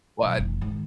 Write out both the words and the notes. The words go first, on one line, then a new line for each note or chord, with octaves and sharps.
Well, I
B1
F1 E3
G#2 D#3